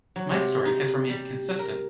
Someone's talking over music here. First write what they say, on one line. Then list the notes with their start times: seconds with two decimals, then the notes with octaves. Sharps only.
My story has remained consistent.
0.16 F#3
0.31 C3
0.66 D#4
1.09 G3
1.59 A#4